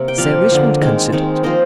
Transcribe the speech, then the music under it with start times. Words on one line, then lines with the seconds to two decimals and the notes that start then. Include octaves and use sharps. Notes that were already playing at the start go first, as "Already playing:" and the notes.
Sir Richmond considered.
Already playing: C3 A#3
0.08 G5
0.18 F3 C4 D5 F5
0.50 D3 F3 A#3
0.81 D#3 G#3 C4
1.12 D#3 G#3 C4
1.43 F3 A#3 C5 D#5